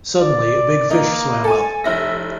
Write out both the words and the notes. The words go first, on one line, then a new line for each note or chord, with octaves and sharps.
Suddenly, a big fish swam up.
D5
A#3 D#4
A4 G#5
F1 E4 E5 A#6